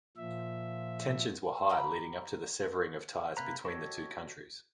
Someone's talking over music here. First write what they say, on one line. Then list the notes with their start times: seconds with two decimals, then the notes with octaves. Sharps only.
Tensions were high leading up to the severing of ties between the two countries.
0.17 A#2 F3 E5
1.69 G4 A#5 B5 E6
3.37 C3 A#3 B4 A#5
3.65 F#4 G4 A4 C#5 D#5